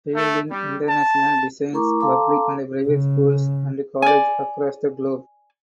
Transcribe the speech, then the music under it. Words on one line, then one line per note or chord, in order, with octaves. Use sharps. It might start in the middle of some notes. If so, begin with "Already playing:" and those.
Fielding International designs public and private schools and colleges across the globe.
A3
G3
A5
A3 E4 A#4 A#5 C#6 D6
A4 F5 A5 A#5 C6 D6
C#3
D5 G#5